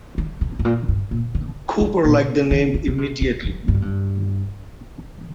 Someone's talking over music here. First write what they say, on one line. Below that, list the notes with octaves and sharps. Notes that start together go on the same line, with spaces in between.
Cooper liked the name immediately.
D#3
C3
G#2
A#2
G2
A#2
D3
C3
A#2
D#3
D3
D3
C3
C3
F2
G2
G#2
G2